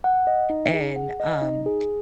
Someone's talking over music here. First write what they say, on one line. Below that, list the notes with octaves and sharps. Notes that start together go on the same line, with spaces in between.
and, um,
F#5
D#5
D#4
G#4
F#5
D#5
D#4
G#4